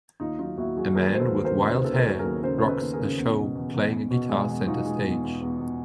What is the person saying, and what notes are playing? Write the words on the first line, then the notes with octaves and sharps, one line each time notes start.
A man with wild hair rocks a show playing a guitar center stage.
D#2 D#4 F4
F#3 D#4 F4
D#2 E4 F#4
F#3 F#4 G#4
D#2 G#4 A#4
F#3 C5
A4 B4
D#2
A#4 C5
C#3
D#2 B4
C5
A4 B4
D#2
G#4 A#4
F#3
G#4 A#4
D#2
C#3 A#4 C5
C#3 C5
A4 B4
D#2
G#4 A#4
C#3
E2
B2
E2
E2
E2
B2
G#3
E2
B2 D#4 F4
G#3
E2
E2
E2
E2